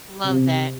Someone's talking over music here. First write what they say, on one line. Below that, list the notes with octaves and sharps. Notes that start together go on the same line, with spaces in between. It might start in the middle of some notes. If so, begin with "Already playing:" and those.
Love that.
C3